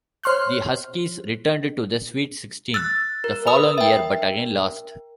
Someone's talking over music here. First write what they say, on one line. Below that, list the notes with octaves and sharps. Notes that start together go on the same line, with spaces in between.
The Huskies returned to the Sweet Sixteen the following year, but again lost.
C5 C#5 C6 F6 F#6
E6 F#6 A6
A#4
B4 B5 D#6
E5 G5